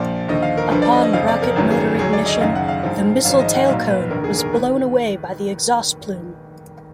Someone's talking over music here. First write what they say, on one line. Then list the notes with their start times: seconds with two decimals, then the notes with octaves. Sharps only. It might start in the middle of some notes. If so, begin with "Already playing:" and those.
Upon rocket motor ignition, the missile tailcone was blown away by the exhaust plume.
Already playing: A#1 A#2 F3 D5
0.29 D#2 D3 F3 D#5
0.42 F5
0.57 A#4
0.71 D2 D3 F3 B4
0.82 D5
0.92 D#5
1.03 D#5
1.13 F#1 F2 F3 F5
1.28 D5
1.42 A#4
1.56 G#1 F#2 D#3 F#3 B4
1.71 G#4
1.99 D2 D3 F#3 G#4
2.13 D5
2.26 D#5
2.40 F#1 F#2 D#3 F5
2.55 F#5
2.68 F5
2.83 A#1 G#2 F3
3.25 G#1 G#2 F3 F5
3.39 D#5
3.54 F#5
3.68 B1 A#2 F#3 F5
3.89 B4
4.10 F1 D#2 D3 A#4
4.24 G#4
4.39 A#4
4.53 D#3 B4